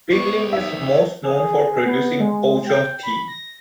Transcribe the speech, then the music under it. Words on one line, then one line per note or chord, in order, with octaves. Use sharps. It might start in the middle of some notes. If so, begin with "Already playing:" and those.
Pinglin is most known for producing pouchong tea.
B3 C5 D5 C#6
D#4 E5
G#4
B3
G#3
G5
B5
A#6